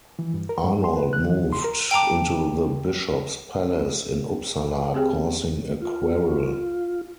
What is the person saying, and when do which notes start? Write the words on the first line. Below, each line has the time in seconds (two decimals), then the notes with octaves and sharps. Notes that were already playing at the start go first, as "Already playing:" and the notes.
Arnold moved into the bishop's palace in Uppsala causing a quarrel.
0.19 E3
0.34 G2
0.49 A#4
0.63 G2
0.84 C6
0.96 B4
1.13 F#6
1.24 E3
1.39 D2
1.52 C6
1.64 A#4
1.91 G5 A5 A#5 D6
4.94 C4 G4 G#4 G5
5.82 F4